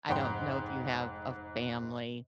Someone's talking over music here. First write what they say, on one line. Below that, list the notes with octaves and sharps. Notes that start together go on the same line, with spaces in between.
I don't know if you have a family,
F1 G#2 G5 C6